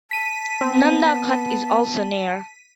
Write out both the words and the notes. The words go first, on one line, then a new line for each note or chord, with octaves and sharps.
Nanda Khat is also near.
A5 B6 D#7
B3 C4